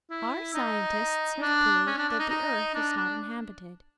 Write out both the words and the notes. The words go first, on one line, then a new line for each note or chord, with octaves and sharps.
"Our scientists have proved that the Earth is not inhabited."
E4
D#4
D4
C#4
D4
D4
D#4
D#4
D4
D4